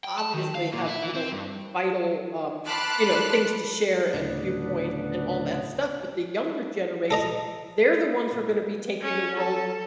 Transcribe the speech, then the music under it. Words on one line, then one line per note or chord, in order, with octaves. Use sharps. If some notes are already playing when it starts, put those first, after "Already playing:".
obviously have, you know, vital, um, you know, things to share and viewpoints and all that stuff, but the younger generation, they're the ones who are gonna be taking the world
G5
A5
D#3
F5
A#2
E4
E3
C4
G2
A5 B5 C6 D6 F6 F#6
D2 A2 C#3 B3 D4
A4 D#5 A#5
C#4
A4